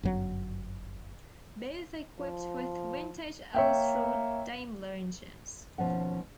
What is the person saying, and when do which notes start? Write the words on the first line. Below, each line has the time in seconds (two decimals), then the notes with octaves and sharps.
Both are equipped with vintage Austro-Daimler engines.
0.03 G1 F#2 F#3
2.19 F3
3.55 A#3 C#5 E5 G5
5.78 D#2 B2 F3 C#4 F#5